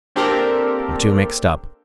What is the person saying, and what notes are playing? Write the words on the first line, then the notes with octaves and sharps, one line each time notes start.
I'm too mixed up.
A#3 C4 D4 G4 A4 A#4